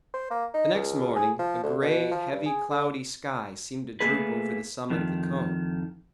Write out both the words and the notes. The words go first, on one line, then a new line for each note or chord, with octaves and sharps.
The next morning, a grey, heavy, cloudy sky seemed to droop over the summit of the cone.
C5
A#3
D#4
C#2
G#4
F3
D2
B2
F3
G2
G#4
D3
A3 A#3 G#4 B4
F2 D#3